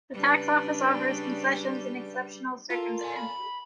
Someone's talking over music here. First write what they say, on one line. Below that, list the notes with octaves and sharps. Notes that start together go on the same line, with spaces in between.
The tax office offers concessions in exceptional circumstances.
C#3 G3 D4 B4
F4 A4 A#4
D5 G#5
B5